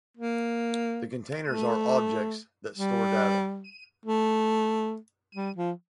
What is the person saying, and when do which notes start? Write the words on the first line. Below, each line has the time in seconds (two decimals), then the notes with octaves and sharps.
The Containers are objects that store data.
0.17 A#3
1.47 A3
2.76 G3
4.06 A3
5.35 G3
5.56 F3